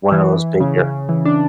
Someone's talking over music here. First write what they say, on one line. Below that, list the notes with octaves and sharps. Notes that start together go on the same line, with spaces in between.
one of those bigger
E3
C#3
C#3
E3
D4